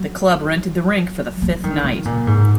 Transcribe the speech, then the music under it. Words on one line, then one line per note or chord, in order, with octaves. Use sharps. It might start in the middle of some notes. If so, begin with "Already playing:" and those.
The club rented the rink for the fifth night.
Already playing: F#3
F#3
D#3
C#3
A#2
G#2